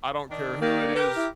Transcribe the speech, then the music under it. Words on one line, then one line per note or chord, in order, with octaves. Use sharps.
I don't care who it is,
D#3 D4
A#3 D#4 G4 D5
G4 A#4 B4
E4